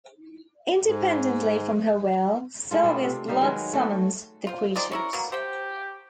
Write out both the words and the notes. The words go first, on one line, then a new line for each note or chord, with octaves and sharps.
Independently from her will, Silvia's blood summons the creatures.
G#2
G#3 A3 F4
B2 B3 C4 D4
C3
G3 D#4 E5 F5
D#3 F#3 G#3 B4
A3 F#4
F4 C5
D#3 F3 G#3 D5
C#4 E4 A#4 C#6
B2 F#3 A#3
G4 C5 F#5 G5